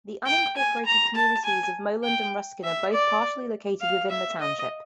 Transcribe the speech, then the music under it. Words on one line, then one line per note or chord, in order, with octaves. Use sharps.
The unincorporated communities of Moland and Ruskin are both partially located within the township.
G5
G#5
A#5
A5
G#5
G5
E5
D5
F5
E5
D#5